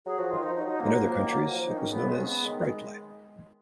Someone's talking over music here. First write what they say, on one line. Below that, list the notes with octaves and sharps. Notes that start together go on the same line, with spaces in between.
In other countries, it was known as "Sprite Light".
F#3 G#4
F3 F#4
D#3 F4
F3 D#4
D#4
F#3
D#4
F#3 A#3
G#3
F#3
F3
D#3
F#3
F#3
F3
D#4
D#3
C#4
C#3 B3
G#3
C#4
C#3 B3
D#3 G#3